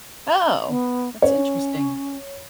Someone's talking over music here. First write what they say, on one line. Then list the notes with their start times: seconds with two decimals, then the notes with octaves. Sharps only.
Oh, that's interesting.
0.69 B3
1.22 C#4 C#5